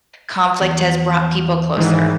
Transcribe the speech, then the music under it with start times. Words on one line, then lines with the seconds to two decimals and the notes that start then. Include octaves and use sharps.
conflict has brought people closer?
0.61 E2
1.77 G#2 D#3 E3